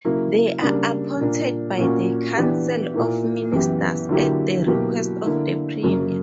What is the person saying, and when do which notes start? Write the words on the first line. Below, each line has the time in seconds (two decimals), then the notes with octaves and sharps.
They are appointed by the Council of Ministers at the request of the Premier.
0.05 C#3 F#3 A#3 E4
0.62 C#3 G3 A#3 D4
1.20 A#2 A#3 D4
1.78 A#2 A#3 C#4 F#4
2.36 E3 B3 D4 G4
2.94 A#2 A#3 E4
3.52 F#2 E3 B3 E4 G4
4.09 D3 F#3 A#3 E4 G4
4.67 B2 F#3 A#3 E4 G4
5.25 D3 A#3 E4
5.83 F#2 C#3 F#3 A#3